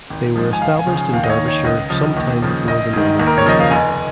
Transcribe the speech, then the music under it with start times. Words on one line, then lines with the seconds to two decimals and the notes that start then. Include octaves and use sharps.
They were established in Derbyshire some time before the Norman conquest.
0.10 G#1
0.36 G#2 F3
0.53 G#5
0.62 C#2 F5
0.79 G#5
0.87 C#3 F3
0.96 G#5
1.13 D#2 F5
1.24 D#5
1.30 C#5
1.38 D#3
1.48 C#5
1.64 C#2 D#5
1.90 C#3 F3
2.17 D#2
2.42 C#3 F3
2.68 A#1 D#5
2.93 G#2 D#3
3.20 D#2
3.27 A#4
3.38 C#5
3.46 C#3 F3 D#5
3.60 F5
3.71 F1 G#5